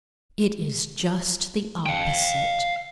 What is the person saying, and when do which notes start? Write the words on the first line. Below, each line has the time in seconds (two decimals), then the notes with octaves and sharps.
It is just the opposite.
1.86 F5 G5